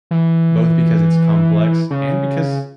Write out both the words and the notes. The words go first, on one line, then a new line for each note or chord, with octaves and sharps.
both because it's complex and because
E3
C#3